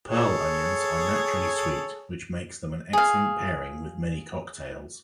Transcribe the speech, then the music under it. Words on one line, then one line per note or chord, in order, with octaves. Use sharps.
Pearl onions are naturally sweet, which makes them an excellent pairing with many cocktails.
G#4 A4 C#5
G#4 F5